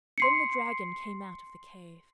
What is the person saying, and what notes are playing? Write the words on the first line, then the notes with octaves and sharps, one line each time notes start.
Then the dragon came out of the cave.
C6 C7 C#7